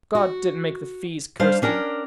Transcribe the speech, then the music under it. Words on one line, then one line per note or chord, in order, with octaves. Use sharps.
"God didn't make the fees, Kirsty!"
F#4
G3 D4 C5 D5 F5
C#4 D4 A#4 G5